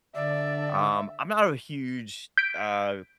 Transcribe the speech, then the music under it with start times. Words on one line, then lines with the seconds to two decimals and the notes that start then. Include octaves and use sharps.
um, I'm not a huge, t uh
0.15 D3 D5 E5
2.38 G6 B6 D7